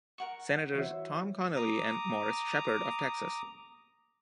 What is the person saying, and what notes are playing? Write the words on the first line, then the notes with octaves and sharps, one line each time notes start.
Senators Tom Connally and Morris Sheppard of Texas.
A#4 F#5 C#6
E3 F#4 C5 C#5 E5
A#5 D6 D#6